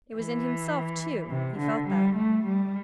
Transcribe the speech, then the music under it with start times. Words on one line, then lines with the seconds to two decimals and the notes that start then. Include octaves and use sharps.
It was in himself too, he felt that.
0.17 E3
1.30 C3
1.59 D3
1.88 G3
2.16 A3
2.44 G3